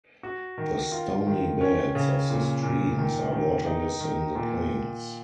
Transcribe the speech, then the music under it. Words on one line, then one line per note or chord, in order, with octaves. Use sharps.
The stony beds of the streams are waterless in the plains.
F#4
D#3
F4
D#3
C#4
C#3
A#2
A#2
D#3
D#3
D#4
D#3
A#2